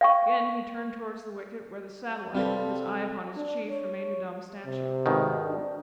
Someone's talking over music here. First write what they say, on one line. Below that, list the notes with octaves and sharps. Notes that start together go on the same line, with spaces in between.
Again he turned towards the wicket, where the satellite, with his eye upon his chief, remained a dumb statue.
F5 G5 C#6
G3 C4 F4 A4 B4
D4
C#5
C3
G#1 B2 D#3
D4